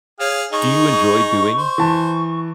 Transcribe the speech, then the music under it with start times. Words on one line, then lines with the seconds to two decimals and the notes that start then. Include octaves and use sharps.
Do you enjoy doing
0.20 G#4 C#5 F5
0.52 D#4 G#4 C#6
1.58 C5
1.78 E3 A5